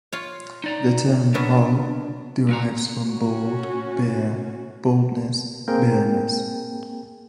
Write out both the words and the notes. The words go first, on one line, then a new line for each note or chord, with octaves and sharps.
The term "mull" derives from "bald, bare, baldness, bareness".
F4 C#5
D#4 D5 A#5
F#3 B3 C#4 D4
A#3 F#4 A#5
C#4 F#4
A#3 C4 G#4 A#4 G5